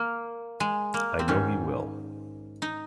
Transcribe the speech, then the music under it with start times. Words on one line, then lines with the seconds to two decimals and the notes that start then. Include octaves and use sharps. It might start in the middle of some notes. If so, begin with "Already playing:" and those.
I know he will!
Already playing: A#3
0.60 G#3
0.94 A#3
1.19 C4
1.28 G#2 D#3 C#4
2.62 D#4